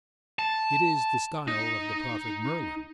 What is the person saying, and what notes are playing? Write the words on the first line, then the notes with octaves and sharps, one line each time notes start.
It is the style of the prophet Merlin.
A5
D#4